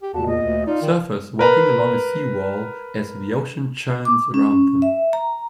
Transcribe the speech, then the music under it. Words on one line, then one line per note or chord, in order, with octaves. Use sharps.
Surfers walking along a seawall as the ocean churns around them.
G4
E2 A#2 F#4 A5
A#2 D#5
D2
D#4 F4 D5 F5
D#3
A#4 B4 A#5
D6
C#4
E5
A#5